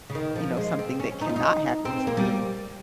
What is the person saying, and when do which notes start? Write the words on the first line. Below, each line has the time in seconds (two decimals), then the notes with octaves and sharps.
you know, something that cannot happen to me
0.10 C#3
0.15 D#3
0.35 F3
0.57 G#3
0.79 C4
1.00 C#4
1.21 D#4
1.29 F4
1.36 D#4
1.85 C4
2.07 A#3
2.17 G3